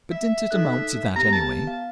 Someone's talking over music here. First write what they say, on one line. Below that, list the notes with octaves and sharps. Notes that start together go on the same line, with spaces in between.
"But didn't it amount to that anyway?"
E5
D#4 A4 F#6
B3 G4 A#5
A5
F5